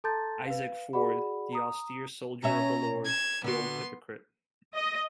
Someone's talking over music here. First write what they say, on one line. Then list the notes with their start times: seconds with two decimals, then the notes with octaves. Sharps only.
Isaac Ford, the austere soldier of the Lord, the old hypocrite.
0.04 A4 A5 A#5 C6 G6 A6
0.46 B4 F5
0.93 F#4 G#4 D5 F#5 B5
1.53 A#5 D#6
2.43 B2 C#4 E5 A#5
3.05 G#6 E7
3.44 D3 B3 F#4 C6
4.75 D#5